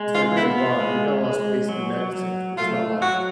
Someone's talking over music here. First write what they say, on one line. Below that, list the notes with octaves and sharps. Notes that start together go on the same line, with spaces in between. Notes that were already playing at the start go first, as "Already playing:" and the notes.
It's like very wide, we got a lot of space in that sense, but it's not like
Already playing: G#3
F4
B3 E4
F4
G#3
G#3
F#3
F#3
A3 F4
F#3 F#4